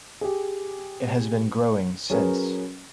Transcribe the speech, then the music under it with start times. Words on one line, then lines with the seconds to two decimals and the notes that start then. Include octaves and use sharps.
It has been growing since.
0.21 G4 G#4
2.10 F#3 C#4 G#4 A#4 B4